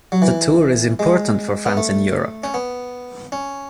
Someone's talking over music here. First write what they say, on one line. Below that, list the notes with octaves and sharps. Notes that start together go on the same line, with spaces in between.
The Tour is important for fans in Europe.
F#3
E3
G#3
B3
A3
C#4
B3
C#4